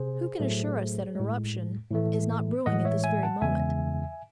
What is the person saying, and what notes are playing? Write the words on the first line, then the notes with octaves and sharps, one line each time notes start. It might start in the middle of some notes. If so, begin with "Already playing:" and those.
Who can assure us that an eruption is not brewing at this very moment?
Already playing: C3 G#4 C5
A2 F#3 A3
A2 G#3
A2 E3 A3
A2 E3 G#3 D#5 F#5
C#5 E5
E5 G#5
F#5 A5
E2 C#3 E3 G#3 E5 G#5